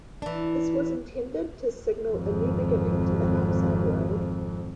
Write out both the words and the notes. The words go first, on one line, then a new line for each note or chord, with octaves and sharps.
This was intended to signal a new beginning to the outside world.
E3 D4
G#1 F2